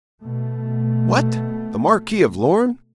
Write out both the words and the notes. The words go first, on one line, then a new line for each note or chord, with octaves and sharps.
'What! the Marquis of Lorne?
B2 A3